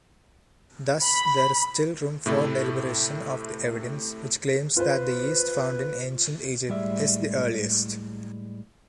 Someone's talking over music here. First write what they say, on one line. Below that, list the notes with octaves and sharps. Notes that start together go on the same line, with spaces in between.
Thus, there is still room for deliberation of the evidence which claims that the yeast found in Ancient Egypt is the earliest.
B5
A2 C3 A3 E4 A4
F4 B4 C5
A2 G3 G#3 D5 E5